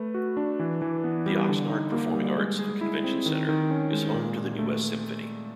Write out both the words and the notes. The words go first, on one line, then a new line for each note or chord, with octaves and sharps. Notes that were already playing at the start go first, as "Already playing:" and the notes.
The Oxnard Performing Arts and Convention Center is home to the New West Symphony.
Already playing: A3 B4
F#4
D4
E3
E3
B3
G3
D3
D#4
A#3
G3
G#3
G#4
E4
C4
D#3
D#3
C#4
G#3
A#2
A#2
A3